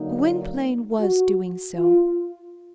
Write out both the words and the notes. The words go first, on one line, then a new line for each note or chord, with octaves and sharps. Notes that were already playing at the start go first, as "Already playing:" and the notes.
Gwynplaine was doing so.
Already playing: D3 F#3 A#3 D#4
F#4
F4